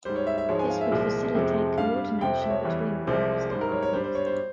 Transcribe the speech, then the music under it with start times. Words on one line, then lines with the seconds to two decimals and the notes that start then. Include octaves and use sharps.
This would facilitate coordination between the various departments.
0.05 G#2 G3 C5
0.16 C#5
0.27 E5
0.38 E5
0.49 G#2 F3 G#3 C#5
0.59 G#5
0.70 F5
0.81 E5
0.91 C2 A#2 F3 G#3
1.35 F2 C3 F3 G#3
1.78 G2 G3 F5
2.21 F2 C3 F3 G5
2.41 E5
2.50 C#5
2.64 E2 E3 G3
3.07 C2 C3 F3 G#3 C5
3.50 G#2 G3 C5
3.61 A#4
3.72 C#5
3.83 C#5
3.93 G2 G3 C5
4.04 C5
4.15 C#5
4.26 C5